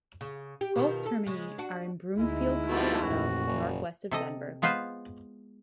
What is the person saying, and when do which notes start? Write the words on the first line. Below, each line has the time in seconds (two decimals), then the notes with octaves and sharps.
Both termini are in Broomfield, Colorado, northwest of Denver.
0.21 C#3
0.61 G4
0.76 B2 D#3 F3
1.06 A4
1.26 C#3 G#3
1.58 D4 F#4
2.17 D2 G#3 D#4 E4
2.68 B2 F3 G3 A3
3.01 A1 F2 A#2 F#4
3.47 F#1
4.11 C3 A4 D#5
4.62 G#3 B3 F4 B4 C5